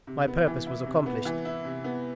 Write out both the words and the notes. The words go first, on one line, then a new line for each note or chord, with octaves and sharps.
My purpose was accomplished.
C3
B3
E3
E4
C3
B3
E3
E4
C3
B3